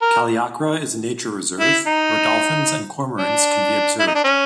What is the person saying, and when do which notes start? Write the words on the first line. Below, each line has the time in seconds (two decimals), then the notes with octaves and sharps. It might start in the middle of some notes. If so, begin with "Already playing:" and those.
Kaliakra is a nature reserve, where dolphins and cormorants can be observed.
0.01 A#4
1.60 E4
1.86 D#4
3.18 D4
4.00 E4
4.07 D#4
4.15 D4
4.24 C#4